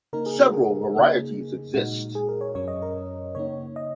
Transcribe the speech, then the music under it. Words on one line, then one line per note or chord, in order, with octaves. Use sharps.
Several varieties exist.
C#3 A#3 D#4 A#4
G#4
F#4
G#4
C#3 A#3 D#4
A#2 G#3 D#4 F#4
G#4
A#4
C#5
F#2 F#3 C#4 C#5
D#5
A#4
C#3 A#3 D#4 C#5
D#5